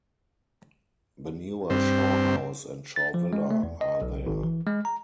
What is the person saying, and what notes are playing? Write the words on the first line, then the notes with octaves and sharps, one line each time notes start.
The newer Shaw House and Shaw Villa are there.
G2 C4
A6
F3
G#3
A3
E2
D#5
B1
G#1
E3
G#3
A#5